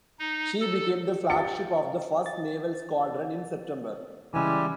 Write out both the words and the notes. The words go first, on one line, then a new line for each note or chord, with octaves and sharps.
She became the flagship of the First Naval Squadron in September.
D#4
A4
F4 G4 G5 A6 C#7
A6
C#3 E3 G3 G#3 E4 G#5